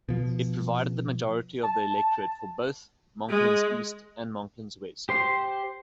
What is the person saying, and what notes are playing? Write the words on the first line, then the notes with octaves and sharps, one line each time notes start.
It provided the majority of the electorate for both Monklands East and Monklands West.
B2 F3
A5
G#3
G4 C5 C6